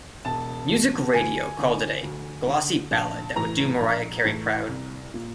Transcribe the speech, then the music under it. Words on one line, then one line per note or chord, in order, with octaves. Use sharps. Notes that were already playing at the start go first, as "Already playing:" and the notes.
Music Radio called it a "glossy ballad that would do Mariah Carey proud".
E1 A5
E2 B2
D2 G#5
D3
D2
D3
A#1 A5
A2 E3 A#5
A#1
A2 E3
C2
A#2